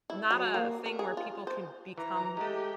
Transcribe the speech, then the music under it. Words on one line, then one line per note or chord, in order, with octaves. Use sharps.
not a thing where people can become
E4
F#3
A#3
A#4
G#4
F4
C5
E3 A#5
G#3 A3 G4